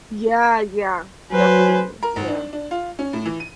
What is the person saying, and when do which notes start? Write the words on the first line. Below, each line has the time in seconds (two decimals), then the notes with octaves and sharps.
Yeah, yeah. Definitely, yeah.
1.31 F#3 B4 C5 G#5
2.03 A#4
2.16 G#1
2.28 D4
2.53 D4
2.71 F4
2.99 C#4
3.13 A2
3.26 E3
3.40 D#7